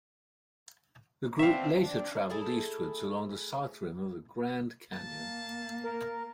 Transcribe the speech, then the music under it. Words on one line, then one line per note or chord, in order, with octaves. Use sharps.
The group later traveled eastwards along the South Rim of the Grand Canyon.
B2 D3 C4 E5 F5
D4
A3 E4 G#4 A4
A#3 A5
A#4